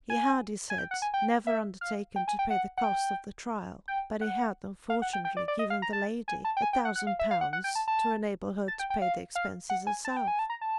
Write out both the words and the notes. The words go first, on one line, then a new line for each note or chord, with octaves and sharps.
He had, he said, never undertaken to pay the cost of the trial, but he had, unfortunately, given the lady a thousand pounds to enable her to pay the expenses herself.
G#5
G#5
G5
F#5
G#5
G5
E5
F5
G5
G#5
G5
F#5
F#5
G5
G5
F#5
F5
F#5
G5
G5
D5
D5
D#5
F5
A#5
A5
G#5
A5
G5
G#5
G5
F#5
F#5
F5
E5
F5
F#5
F#5
G5
A5
A5
A5
G5
G5
F5
F5
F#5
G#5
A5
G5
G#5
A5
A#5
A5